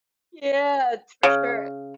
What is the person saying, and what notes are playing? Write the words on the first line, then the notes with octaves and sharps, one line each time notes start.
Yeah, it's for sure.
C#3